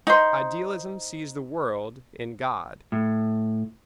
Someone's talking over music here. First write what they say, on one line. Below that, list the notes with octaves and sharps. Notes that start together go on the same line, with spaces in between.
Idealism sees the world in God.
D#4 C5
A2